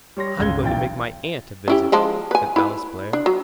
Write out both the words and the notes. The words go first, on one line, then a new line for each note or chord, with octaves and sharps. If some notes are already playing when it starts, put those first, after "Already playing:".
"I'm going to make my aunt a visit," said Alice Blair.
G3 C#5 C6 A#6
G1 C#2 C#3 G#6 G7
B1 E3 G5 A6
C#4 E4 G4
F3 G#3 A5
B4 G#5
E4 B4
D4
F#3